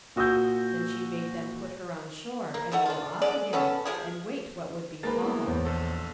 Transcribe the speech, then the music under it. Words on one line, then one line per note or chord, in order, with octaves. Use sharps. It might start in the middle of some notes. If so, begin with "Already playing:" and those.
Then she bade them put her on shore, and row off again, and wait what would befall.
A#2 F#4 D#6 E6 G6
A#3
D#3 A3 A4 F#5
D4 F4
D3 G#3 G#4 D5
B3 C#4 A4
C3 F3 G#4
G#3 A#3 A#4 B4 A6
B3 E4
E2 C5 C#5
A#1 A4